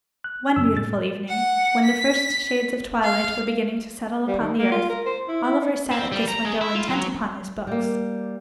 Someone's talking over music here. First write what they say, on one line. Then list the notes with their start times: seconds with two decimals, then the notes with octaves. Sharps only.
One beautiful evening, when the first shades of twilight were beginning to settle upon the earth, Oliver sat at this window, intent upon his books.
0.24 F#6
0.56 F#2 C#3 E6
0.76 A2 A6
1.29 F#5
1.85 B6
3.04 F5
4.28 G3
4.39 D#3
4.59 A#3
4.71 F4
4.89 A#4
5.06 C5
5.28 E4
5.43 E4
5.61 D#4
5.91 C4
6.12 G3
6.28 A#5
6.45 G#3
6.61 E4
6.75 F4
6.89 F#3
7.67 G3 A#3